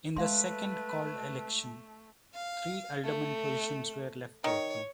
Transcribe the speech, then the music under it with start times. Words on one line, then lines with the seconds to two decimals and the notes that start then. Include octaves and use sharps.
In the second called election, three aldermen positions were left open.
0.16 G#3 A3 B4 E5 F5 C6
2.34 F5
3.04 A3
4.44 D#3 C#5